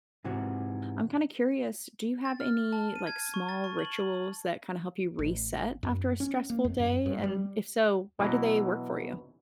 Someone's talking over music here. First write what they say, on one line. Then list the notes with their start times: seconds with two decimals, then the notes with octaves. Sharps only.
I'm, kind of, curious, do you have any, like, small rituals that kinda help you reset after a stressful day, and if so why do they work for you?
0.24 G#2 C3 E3 F#4
2.25 A6
2.40 F6
2.73 A5
2.95 D#7
3.07 G#6
3.34 C#6
3.49 A6
3.64 C#6
3.79 F#7
5.19 A1
5.83 F#2
6.20 C#4
6.50 A#3
6.64 F2
6.80 F#2
7.06 G2
7.24 G3
8.19 B2 E3 F#3 E4 A#5